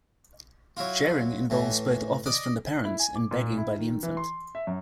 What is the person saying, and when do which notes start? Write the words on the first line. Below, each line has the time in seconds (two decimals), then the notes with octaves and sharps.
Sharing involves both offers from the parents and begging by the infant.
0.77 F#3 E4 F4
1.50 A2 E3
2.26 D5 D#5
2.85 E4
3.00 G#5
3.15 D6
3.31 A#2
3.57 E4
3.78 D#3
4.03 E3
4.17 C6
4.55 E5
4.67 F#2